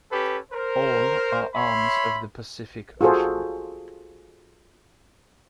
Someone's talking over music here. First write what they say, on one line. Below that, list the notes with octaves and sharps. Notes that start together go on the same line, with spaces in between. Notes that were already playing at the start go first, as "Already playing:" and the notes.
All are arms of the Pacific Ocean.
C#4 G4 A4 B4
A#4 C5
C#5 E5 B5 C6
F4 F#4 G#4 A4 C5